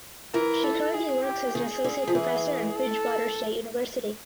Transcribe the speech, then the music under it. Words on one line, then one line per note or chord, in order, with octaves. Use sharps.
She currently works as an associate professor at Bridgewater State University.
E3 A#4
A4
G#4
G4
D#3 G#4
D3
F3
E3
A4